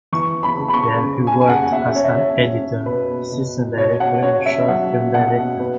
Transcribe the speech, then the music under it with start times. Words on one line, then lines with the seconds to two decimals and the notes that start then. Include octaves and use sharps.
There he worked as an editor, assistant director and short film director.
0.12 E3 C#6
0.43 B5
0.58 C#3
0.68 B5
0.73 C#6
1.03 C#3
1.27 G#5
1.41 G#5
1.49 C#3 F#5
1.72 E5
1.94 C#4 C#5
2.04 E5
2.14 C#5
2.40 C#4
2.86 B2 B4
3.32 B2
3.77 B2 C#5
4.00 F#5
4.23 C#4 C#5
4.46 E5
4.68 F#3 F#5
5.14 B2 F#5
5.60 B3